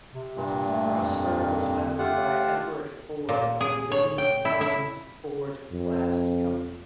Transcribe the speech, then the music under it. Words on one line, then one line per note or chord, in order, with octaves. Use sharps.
Rossford was founded by Edward Ford of the Libbey-Owens-Ford Glass Company.
C3
G2 A#2
A3
F2
A3 F4 G4 F#5
A#2
G#4
C#5
G5
E4
E4
F2